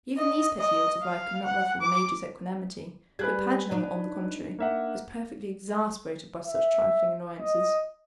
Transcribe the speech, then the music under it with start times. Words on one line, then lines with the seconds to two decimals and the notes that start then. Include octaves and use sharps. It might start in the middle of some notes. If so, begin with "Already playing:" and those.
Even these petty ills of life could not ruffle the Major's equanimity; but Paganel, on the contrary, was perfectly exasperated by such trifling annoyances.
0.17 D#5
0.59 D#5
1.03 F5
1.44 F#5
1.81 D6
3.19 G3 G#4 B4 F#6 G#6
3.71 D4 D#4
4.59 A#3 E5 F#5
6.45 E5
7.39 D#5